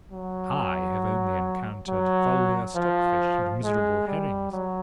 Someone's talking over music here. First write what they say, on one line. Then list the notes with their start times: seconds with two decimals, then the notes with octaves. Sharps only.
I have only encountered vulgar stockfish and miserable herrings.
0.12 F#3
1.88 F#3
2.76 F3
3.64 G#3
4.07 G3
4.52 F#3